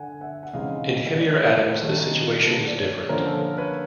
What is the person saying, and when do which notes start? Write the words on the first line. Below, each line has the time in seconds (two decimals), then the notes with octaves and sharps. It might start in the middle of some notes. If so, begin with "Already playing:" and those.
In heavier atoms the situation is different.
Already playing: D3 F#5 G#5
0.21 E5 F#5
0.43 F#5
0.53 C#3 E3 G#3 C4 D#4 D#5 F5
1.18 D5 E5
1.33 C#5 D#5
1.49 C5 D5
1.65 B4 C#5
1.82 D#3 G3 A#3 D#4 A4 B4
2.45 A4 B4
2.66 D5
2.78 B4 C#5
3.09 D3 F3 A#3 C#4 F4 A#4 C5
3.26 A4
3.41 A#4
3.58 B4 C#5